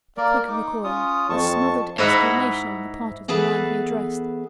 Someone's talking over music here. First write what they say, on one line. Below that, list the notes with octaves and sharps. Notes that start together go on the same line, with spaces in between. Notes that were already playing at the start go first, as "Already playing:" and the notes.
A quick recoil, a smothered exclamation on the part of the man he addressed.
A#3 A#4 D5
D#4 D6
C#4 F4 D#6
F2 A5 C#6
G#2 E4 D#5 F#5 A#5 B5
E3 B3 G#4 A4 B4